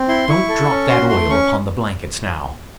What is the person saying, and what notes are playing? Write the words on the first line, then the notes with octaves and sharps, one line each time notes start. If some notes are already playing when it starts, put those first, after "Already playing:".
"Don't drop that oil upon the blankets, now."
Already playing: C4
E4 C6
E4 C#6
A4
C#4
F#4 C6
A3 C6
C#4 C#6